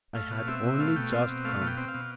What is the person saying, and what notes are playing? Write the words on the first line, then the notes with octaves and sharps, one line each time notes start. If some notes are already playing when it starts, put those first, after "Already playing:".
"I had only just come."
A3 F5
B2
C4 E5
B2
A3 F5
B2 G5
C4 F5
B2
A3 F5
B2
G5
C4
F5
B2